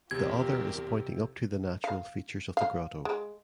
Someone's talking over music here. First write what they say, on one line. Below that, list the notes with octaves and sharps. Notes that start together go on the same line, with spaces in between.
The other is pointing up to the natural features of the grotto.
E2 C3 F4 G4 A#4 G#6
F5
F5
G#3